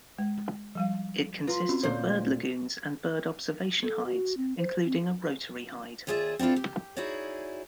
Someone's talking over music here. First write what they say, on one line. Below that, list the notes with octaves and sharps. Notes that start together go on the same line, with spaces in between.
It consists of bird lagoons and bird observation hides, including a rotary hide.
G#3
F3 G3 F5
F4 B4 A#5
C4 C#4 F#4
D2 A#2 C5
A4
F#4
C4
C5
C4
D#2 F4 G#4 D5 E5
C4 D4 E4 F4 A4
G4
D#4 E4 F#4 G#4 C#5 D5